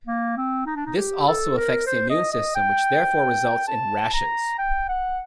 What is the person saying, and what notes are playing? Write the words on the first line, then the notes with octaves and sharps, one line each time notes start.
This also affects the immune system which therefore results in rashes.
A#3
C4
D#4
D4
D#4
G4
A4
A#4
C5
D#5
D#5
G5
A5
A#5
G5
F#5